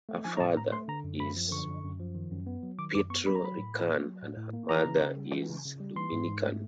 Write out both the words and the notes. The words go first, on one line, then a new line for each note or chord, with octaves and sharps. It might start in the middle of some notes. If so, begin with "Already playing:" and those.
Her father is Puerto Rican and her mother is Dominican.
A3
F3 G#5
A#5
A2 A5
A2 A#5
A3 C6
D3 A#5
F#2
F#2 B5
F3
D3 C#6
F#2
F#2
F3
D#3
F#2
B3
F#3
D#3 D6
F#2 D6
B3 C#6
F#3 B5
A#5
F#3 B5
A2
A2
A#3
F#3
A2
A2
A#3
E3 A#5
C#3
C#3
G3
E3
C#3
C#3
G3
E3 C6
G#2
G#2
A3